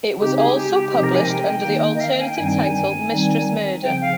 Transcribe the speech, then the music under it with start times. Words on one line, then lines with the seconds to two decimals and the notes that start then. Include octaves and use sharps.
It was also published under the alternative title Mistress Murder.
0.18 C#3 G#3 C4 D#4 G4
0.36 G#4
0.55 G4
0.73 G4
0.92 C3 F3 G#3 C4 D#4 G4
1.04 A#4
1.15 G#5
1.28 G5
1.64 D#3 A#3 D#4
1.95 D#5
2.00 F5
2.09 G5
2.20 G#5
2.28 G5
2.37 G2 D#3 G3 C4 D#4 G#5
2.49 G5
2.61 G#5
2.73 G#5
3.10 D#3 G3 C4 D#4
3.82 C#3 F3 C4 G5
4.02 F5